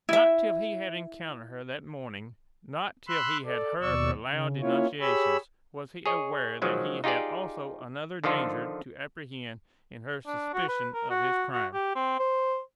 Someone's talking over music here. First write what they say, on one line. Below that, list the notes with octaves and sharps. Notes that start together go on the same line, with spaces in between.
Not till he had encountered her that morning--not till he had heard her loud denunciations--was he aware that he had also another danger to apprehend in her suspicion of his crime.
E4 E5
B5 C6 E6 F#6
A4 D5
D#2 B2 D5 C#6 E6
C#3
A#3 C#4 E4 F4 C#5
G4 G#4 C#5 B5 E6
G#4 C#5 D#5
D#3 F3 F#3 G#3
D#4 F4 G4 G#4 D5
D3 D#3 F3 F4 A4
D4
F#4
B4
A#4
F#4
F#4
G4
C4
C5